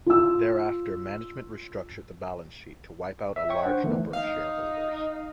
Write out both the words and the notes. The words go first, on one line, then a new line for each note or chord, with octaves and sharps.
Thereafter management restructured the balance sheet to wipe out a large number of shareholders.
F4 E6
E5
C#5 G5 C#6
D4 C5 F#5
D#3 E3 A3 B3
D#4 F5